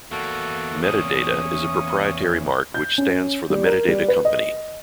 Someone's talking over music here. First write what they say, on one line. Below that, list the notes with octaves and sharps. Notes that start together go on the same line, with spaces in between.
Metadata is a proprietary mark which stands for The Metadata Company.
E2 A#3 F#4 A4
C#4 C#6 D#6
G6
C#4
G3
A#4
G3
B4
D#5